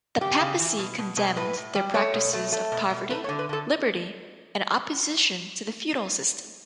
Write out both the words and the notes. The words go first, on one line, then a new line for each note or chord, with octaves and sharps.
The Papacy condemned their practices of poverty, liberty and opposition to the feudal system.
C#3 G4
C#3
E3
B2
B2
B2
A2 B4
A2
G3
A3 C#5
B2
A3
A3
B2
B2
A3 B4
C#5
D3
B4
D3 A4